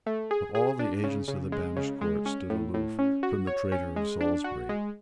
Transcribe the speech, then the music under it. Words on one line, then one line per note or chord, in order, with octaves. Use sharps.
But all the agents of the banished Court stood aloof from the traitor of Salisbury.
A3
G#4
G#4
D4
C#3
C#3
G#3
C#3
G#3
C#4
A2
A2
C#4
F#4
C#5
C#4
G#3
D4
F#4
G#3